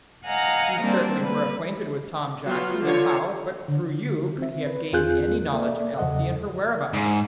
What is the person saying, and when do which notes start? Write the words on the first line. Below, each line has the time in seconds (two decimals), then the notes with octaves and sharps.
"You certainly were acquainted with Tom Jackson, and how, but through you, could he have gained any knowledge of Elsie and her whereabouts?"
0.25 D#5 F5 F#5 G#5 A#5
0.82 G3 A#3 C4 D4
1.21 A#3 B4
2.45 F#3 B3 F4
2.81 D3 F4 C#5
3.68 D3
4.38 C4 E5
4.66 B4
4.93 E2 C4 F4 G#4 F#6 G6
5.52 A#3 A4 D5 E5
5.98 E2 C#3 F#3 A4 D#5 F#5
6.93 G#2